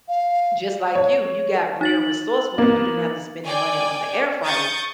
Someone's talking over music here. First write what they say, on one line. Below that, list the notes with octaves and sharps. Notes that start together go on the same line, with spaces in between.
just like you, you got real resourceful where you didn't have to spend the money on the air fryer.
F5
C#5
D#4 A6 F#7
A#3 B3
D5 G5 G#5
C#6 D#6 G6 A6